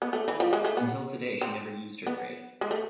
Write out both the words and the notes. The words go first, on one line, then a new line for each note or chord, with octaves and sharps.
Until today she never used her grade.
B3
A3
E3
F3
G#3
A3
B3
C4
B3
G#3
A3